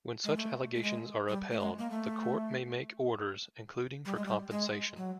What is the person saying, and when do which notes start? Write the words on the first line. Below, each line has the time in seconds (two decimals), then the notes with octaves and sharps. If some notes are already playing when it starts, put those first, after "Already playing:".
When such allegations are upheld, the court may make orders, including for compensation.
0.24 G#3
0.37 A3
0.75 A3
0.83 G#3
1.29 G3
1.51 A3
1.60 G#3
1.78 A#3
1.91 A3
4.05 G3
4.16 G#3
4.25 G3
4.51 G#3
4.97 F#3